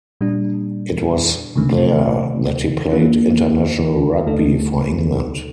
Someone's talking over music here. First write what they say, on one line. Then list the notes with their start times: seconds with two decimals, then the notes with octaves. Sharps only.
It was there that he played international rugby for England.
0.21 A#2 G3 D4
1.56 C3 D#3 A3
2.92 D#3 A#3 D4 F4
4.26 D2 D3 A3 D#4 A4